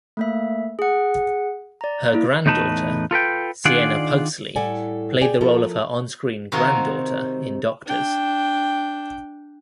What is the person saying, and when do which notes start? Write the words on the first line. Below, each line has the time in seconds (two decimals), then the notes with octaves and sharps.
Her granddaughter, Siena Pugsley, played the role of her on-screen granddaughter in "Doctors".
0.17 A3 A#3 E5
0.79 G#4 F#5
1.81 D5 A#5
2.14 A#3 E4
2.46 E2 A2 D#4 B4 A5
3.11 F4 A4 B4 G5
3.65 D#3 D4 F4 G#4 D5 F#5
4.56 A2 G3 A4 D5 F#5 G#5
5.21 G#4 D5 G5 G#5
5.41 F3 E4 F4 A4 A#4
6.52 C3 D#3 D#4 F4 F#4 A#4
7.86 D4 G5